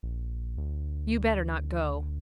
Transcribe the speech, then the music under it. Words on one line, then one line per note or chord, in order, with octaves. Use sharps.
You better not go.
A#1
D2